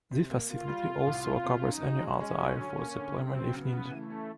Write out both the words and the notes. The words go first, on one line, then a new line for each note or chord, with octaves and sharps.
This facility also covers any other Air Force deployment if needed.
C3
A#3
A#3 F4
G3
C3
C2
C3
C3
C#4 D#4
F#4
G#3 C#4
G#3
F#3
D3
A#3
D3
C#3 C4
F#3
C#3 B3
C#3
E3 A3
C#4